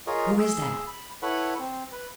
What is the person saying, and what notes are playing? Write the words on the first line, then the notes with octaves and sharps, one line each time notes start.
"Who is that?"
F4 G#4 A#4 C#5 D#5
G#4 E6
B5
E4 A4 B4 C#5 F#5 B5
C4
B4